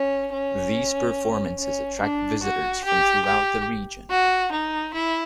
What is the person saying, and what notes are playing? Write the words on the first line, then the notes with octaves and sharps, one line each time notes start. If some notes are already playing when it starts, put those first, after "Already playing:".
These performances attract visitors from throughout the region.
Already playing: C#4
C#4
C#4
D4
F#4
G4
G4
F#4
D#4
E4